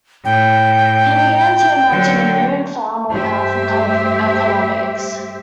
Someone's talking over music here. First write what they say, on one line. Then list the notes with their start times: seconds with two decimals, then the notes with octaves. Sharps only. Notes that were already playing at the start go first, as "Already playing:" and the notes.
He began to imagine a new and far more powerful kind of economics.
0.25 A2 G5
1.89 D3 F#3
3.10 G2 A3 G4 C5 E5